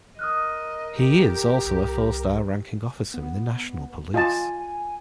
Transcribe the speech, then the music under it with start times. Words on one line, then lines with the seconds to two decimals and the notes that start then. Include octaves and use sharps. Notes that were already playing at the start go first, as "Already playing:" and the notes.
He is also a four-star ranking officer in the National Police.
0.19 A#4 D#5 D#6 F6 F#6
1.00 G#1 G4
1.62 C2
3.14 B3
4.14 F4 D#5 G#5 A5